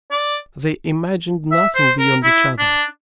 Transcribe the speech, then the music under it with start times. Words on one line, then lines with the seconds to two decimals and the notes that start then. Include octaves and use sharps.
They imagined nothing beyond each other.
0.11 D5
1.51 E5
1.75 C5
1.99 A#4
2.23 E4
2.58 D4